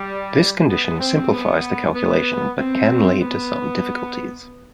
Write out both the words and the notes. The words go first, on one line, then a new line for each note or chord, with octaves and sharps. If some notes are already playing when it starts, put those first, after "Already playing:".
This condition simplifies the calculation but can lead to some difficulties.
Already playing: G3
B3
C4
B3
B3
C4
B3